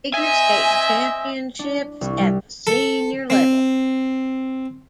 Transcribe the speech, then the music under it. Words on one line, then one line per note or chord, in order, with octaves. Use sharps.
Figure Skating Championships at the senior level.
C4 D#5 E5 G#5
D4
C2
G3
A4
C4